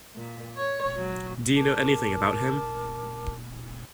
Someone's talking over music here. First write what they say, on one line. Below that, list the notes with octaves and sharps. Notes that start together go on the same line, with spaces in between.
Do you know anything about him?
A#2
C#5
F#3
A#4 A5 D6